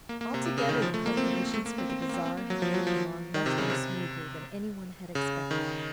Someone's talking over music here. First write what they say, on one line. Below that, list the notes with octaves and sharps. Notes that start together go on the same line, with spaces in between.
Altogether the preparations for the Bazaar had moved along much more smoothly than any one had expected.
A#3
A#3
C3
C3
C#3
D#3
F3
A3
A#3
C4
A3
A#3
C4
C4
C4
A#3
C4
C4
A#3
F#3
F3
F#3
F3
D#3
C3
C#3
C3
C#3
D#3